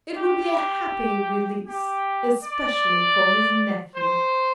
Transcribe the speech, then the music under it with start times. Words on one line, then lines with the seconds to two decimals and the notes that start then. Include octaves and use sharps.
It will be a happy release--especially for his nephews.'
0.15 G4
1.67 G4
2.44 D5
3.95 C5